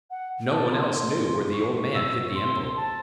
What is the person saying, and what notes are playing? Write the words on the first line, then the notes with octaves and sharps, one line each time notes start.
No one else knew where the old man hid the envelope.
F#5
A5
C6
C#6
E6
C6
A5